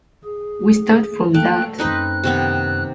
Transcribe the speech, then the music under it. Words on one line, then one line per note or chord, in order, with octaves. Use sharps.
We start from that.
G#4
A3 A#3 G5 F#6
F#2 C4 D#4 B4 F#6
C3 D#3 B3